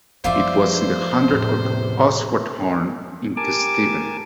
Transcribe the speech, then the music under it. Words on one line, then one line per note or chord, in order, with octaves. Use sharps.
It was in the Hundred of Aswardhurn, in Kesteven.
F#2 F3 F4 C5 D5 E5
E2 A2 C3
G4 A#4 G#5 A5 D6